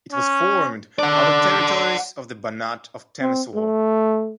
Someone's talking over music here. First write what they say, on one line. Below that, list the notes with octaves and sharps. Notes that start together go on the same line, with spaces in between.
It was formed out of territories of the Banat of Temeswar.
C#4
D4 D5 F#5
C4
A3